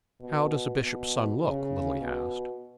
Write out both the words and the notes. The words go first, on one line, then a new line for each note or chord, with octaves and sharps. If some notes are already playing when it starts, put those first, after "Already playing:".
"How does a bishop's son look?" Lily asked.
B2
B2
C#3
B2